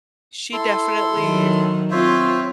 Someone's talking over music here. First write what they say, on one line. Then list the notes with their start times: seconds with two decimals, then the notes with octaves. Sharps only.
she definitely,
0.53 E4 A4 C6
1.17 D#3 F#3
1.91 C4 F4 C5 C#5 E5